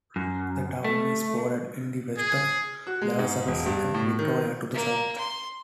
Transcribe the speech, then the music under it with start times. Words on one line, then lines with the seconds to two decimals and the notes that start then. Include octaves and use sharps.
The town is bordered in the west by Lavezares and Victoria to the south.
0.16 F#2
0.84 A3
2.18 G#4
2.87 F#4
3.01 G#3
3.19 G#2
3.48 E1
3.66 G2
3.94 A2
4.19 D#3
4.74 A#3
5.18 C6